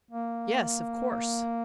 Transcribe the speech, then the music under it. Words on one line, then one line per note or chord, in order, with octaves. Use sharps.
"Yes, of course."
A#3